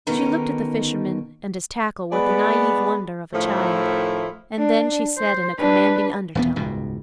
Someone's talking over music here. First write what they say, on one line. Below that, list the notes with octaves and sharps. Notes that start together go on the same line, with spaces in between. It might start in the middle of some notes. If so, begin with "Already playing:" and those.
She looked at the fisherman and his tackle with the naive wonder of a child, and then she said in a commanding undertone.
B2 D3 D#3 C#4 D#4
G#3 B3 B4 D5
A2 D#3 F3 A3 E4
D4
C5
D4 B4
D#1 E2 B3
D#1 C#2 G#2 B2